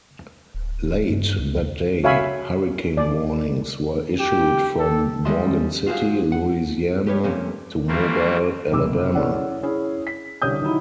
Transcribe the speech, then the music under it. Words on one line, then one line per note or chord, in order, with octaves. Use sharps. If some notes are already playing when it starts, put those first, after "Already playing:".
Late that day, hurricane warnings were issued from Morgan City, Louisiana, to Mobile, Alabama.
D1
G2
C#2
F#4 C#5 E5 F5 G#5 B5
D5
G4
A4
D#2 G3 G#3 D#5 E5 C6
F4 F#4 G#4 C5 F5
F#5
G4 B4 C#5
F2 C3 A3 A#3 C#4
E3 G3 A3 A#3 C4
F#1 C3 D6 E6
C#4 E4 G#4 D5 F#5
C#4 E4 G#4
B6
C2 D3 C#4 G4 D#6 G6
D#3 F#3 D#4 E4